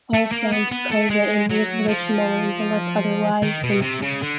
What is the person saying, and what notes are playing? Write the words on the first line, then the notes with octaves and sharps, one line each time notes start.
All songs co-written with Rich Mullins unless otherwise indicated.
A3
A#3
B3
B3
A3
G#3
F#3
F3
D#3
B2
C3
C#3
D3